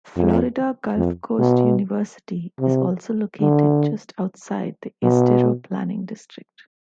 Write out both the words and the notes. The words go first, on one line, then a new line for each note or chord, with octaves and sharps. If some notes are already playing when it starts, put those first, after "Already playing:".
Florida Gulf Coast University is also located just outside the Estero Planning District.
F2
F2
B2
C3
D3
B2